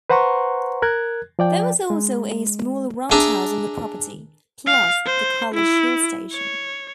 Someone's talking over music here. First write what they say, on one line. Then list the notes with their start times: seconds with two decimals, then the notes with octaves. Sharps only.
There was also a small roundhouse on the property, plus the College Hill Station.
0.10 B4 C5 F#5 A#5 C6 C#6
0.82 A#4 F#6 G#6
1.39 F3 D5 G5
1.90 G#3
3.11 D4 G#4 E5 A5 A#5
4.67 F5
5.06 C5
5.54 E4
6.33 C#5